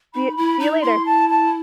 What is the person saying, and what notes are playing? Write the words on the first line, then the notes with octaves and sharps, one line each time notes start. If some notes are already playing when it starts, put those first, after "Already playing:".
See y see you later.
D#4 B5
E4 B5
D#4 A#5
E4 C6
A5
A5